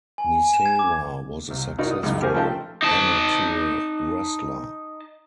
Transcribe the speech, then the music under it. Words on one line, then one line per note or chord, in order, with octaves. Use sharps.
Misawa was a successful amateur wrestler.
G#5
G#5
E7
G#6
D6
C2
D#4 E4 F#4 A#4 D5
D#6
C#2 F#2 D#4
A3 C#4 G4 A#4 C5 G#5
C#3 F3 A3 D#4 G5 A5
D#4 A5